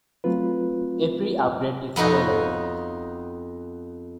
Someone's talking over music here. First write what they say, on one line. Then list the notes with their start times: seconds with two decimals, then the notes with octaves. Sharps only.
A free upgrade is available.
0.24 F#3 A3 C4 F4 B4
1.96 F2 B3 D#4 F#4